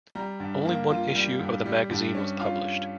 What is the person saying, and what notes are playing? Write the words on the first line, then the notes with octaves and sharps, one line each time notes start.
Only one issue of the magazine was published.
G3 A#5
G2
A#3
F4
G3
G2
G3
G2
C#4
F4 F5